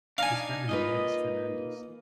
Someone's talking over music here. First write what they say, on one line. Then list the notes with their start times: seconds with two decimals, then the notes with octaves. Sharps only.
His family name is "Fernandes".
0.18 D4 D#4 F5 G#5
0.69 A#3 D#4 F4 B4 D#5